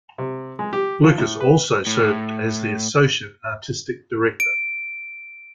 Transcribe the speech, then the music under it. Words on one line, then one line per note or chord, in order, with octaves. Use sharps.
Lucas also served as the Associate Artistic Director.
C3
G#3
G4
F3
A2
B4
A2
D7